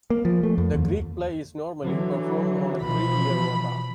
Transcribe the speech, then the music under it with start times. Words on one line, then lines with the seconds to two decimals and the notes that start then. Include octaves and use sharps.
The Greek play is normally performed on a three-year rota.
0.10 A#3
0.25 F3
0.43 A3
0.58 F2
0.74 D#2
1.81 D3 E3 F#3
2.83 B2 E3 F3 B5